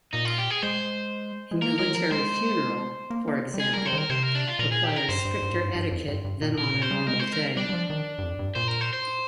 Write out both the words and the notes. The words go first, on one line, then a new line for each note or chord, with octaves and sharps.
A military funeral, for example, requires stricter etiquette than on a normal day.
A#2 D#4
F4
G4
G#4
G#3 C5
G#3
A#3 A#4
G#3 A#4
D#3
F3 A#4
G#3 C5
A#3
A#3
G3
G#3 G#4
G3 A#4
C5
D#3 A#4
C3 C5
A#4
D4
F4
A#2 A#4
G#4
G4
A#4
G2 C5
G2
G2
G#2
G2
G2
F2
G2
G2
A#2
A#2 A#4
A#2
C5
G3
G#3 A#4
C5
A#4
G3 D4
G3
F3
D#3
G2
F2
G2
A#2 C5
A#4
C5
C5